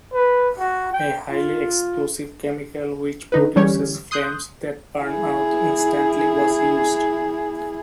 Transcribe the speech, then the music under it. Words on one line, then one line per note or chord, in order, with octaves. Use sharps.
A highly explosive chemical which produces flames that burn out instantly was used.
B4
F#4
G5
F4
D3 D#4 B4
D3 E3 G3 C#4 G4 C#5
C6 D#6 F#6 G6
E4 G#4